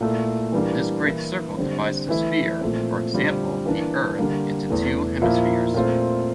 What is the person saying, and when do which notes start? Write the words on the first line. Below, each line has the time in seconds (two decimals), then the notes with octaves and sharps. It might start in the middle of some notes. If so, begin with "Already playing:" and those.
This great circle divides the sphere, e.g., the Earth, into two hemispheres.
0.01 A#2 A3 E4
0.52 E3 G3 A#3 D4
1.04 E3 A#3 E4
1.57 D3 G3 C4
2.09 E3 A3 E4
2.61 A#2 F3 A3 C4
3.14 D3 G3 C4 F4
3.66 E3 A#3 D4
4.19 D3 G3 A#3
4.70 E2 E3 A3
5.22 A#2 F3 A#3 E4
5.74 A#2 A3 C4 F4